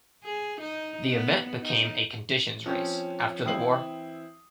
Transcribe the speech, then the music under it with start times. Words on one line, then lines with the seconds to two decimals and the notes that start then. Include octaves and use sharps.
The event became a conditions race after the war.
0.24 G#4
0.60 D#4
1.10 B3
1.62 D#4
2.66 F3 C4 C#4
3.44 E3 C4 E4 D#6 C7 F#7